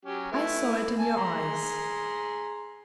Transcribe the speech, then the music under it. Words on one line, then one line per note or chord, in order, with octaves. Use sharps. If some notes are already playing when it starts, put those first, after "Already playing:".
I saw it in your eyes.
F#3 C#4 G4
A3 E4 B4
G#5 A5
G#4 A#5 C6